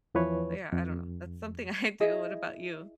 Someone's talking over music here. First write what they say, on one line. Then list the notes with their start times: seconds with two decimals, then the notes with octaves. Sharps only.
but, yeah, I don't know. That's something I do. What about you?
0.15 E2 E3 F3 B4 C#5
0.73 F2
2.00 E4 G#4 D#5